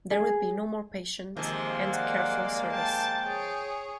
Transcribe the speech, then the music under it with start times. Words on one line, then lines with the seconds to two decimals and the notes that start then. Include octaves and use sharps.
There would be no more patient and careful service.
0.11 G#4
1.37 C3 D#3 F3 G#3 A#3
1.93 D5 F#5
2.73 G5 A5
3.26 G#4 C#5